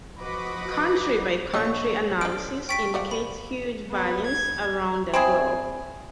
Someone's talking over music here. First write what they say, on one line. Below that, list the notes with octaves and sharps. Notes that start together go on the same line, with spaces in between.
Country by country analysis indicates huge variance around the globe.
F3 F#4 B4 D#5 D6
A#1 F3 A#3 C#5 D#5 C#6
D4 F#4 A4 D7
G5 A5 C#6 B6 D7
F3 D5 F#5
B5
B3
G#6
C4 E4 G#4